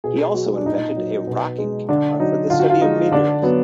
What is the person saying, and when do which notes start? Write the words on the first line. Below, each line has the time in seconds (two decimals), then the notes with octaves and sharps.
He also invented a rocking camera for the study of meteors.
0.04 B2 G#4
0.34 F#3 F#4
0.57 D4
0.65 A#2 D#4
0.96 F#3
1.27 B2
1.58 G#3
1.89 D3 D4
2.19 F#3 D#4
2.50 D3 F4
2.60 F#4
2.70 F4
2.81 F3 G#3 D#4
3.11 D3 D4
3.42 F#3 B3